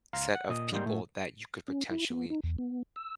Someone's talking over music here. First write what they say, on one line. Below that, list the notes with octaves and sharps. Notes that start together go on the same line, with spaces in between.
set of people that you could, potentially,
C#2 F5 A#5 C6
F#5
A#2 D#5 D#6
G#2 G3 A#3 D#4 C6 G6
A2 A3
C#4
E4
B3
D#4
E2
B3
E6